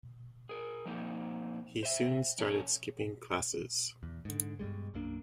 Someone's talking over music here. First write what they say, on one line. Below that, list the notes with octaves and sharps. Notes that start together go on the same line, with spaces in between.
He soon started skipping classes.
G#4 A#4
F3 A#3 C4 D#4
C5 E5
F2 C#4 A4 C#5
E2
G#2 D3
G2 B2 G3 G#3
B1 F#2 A#3 D4